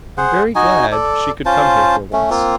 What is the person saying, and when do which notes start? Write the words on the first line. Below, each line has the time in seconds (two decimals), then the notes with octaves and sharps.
I'm very glad she could come here for once.
0.18 G#4 C5 F#5
0.55 D#4 F#4 D#5 G#5
0.92 A4 D5
1.46 C#4 F4 C5 A5
2.13 A3 C#4
2.30 A#3 C4 F4